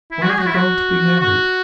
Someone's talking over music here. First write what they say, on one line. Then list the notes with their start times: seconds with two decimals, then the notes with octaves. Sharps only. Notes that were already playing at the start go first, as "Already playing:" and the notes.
When are they going to be married?'
0.11 E4
0.22 F#4
0.30 G#4
0.39 F#4
0.47 E4
0.55 F#4
1.20 F#4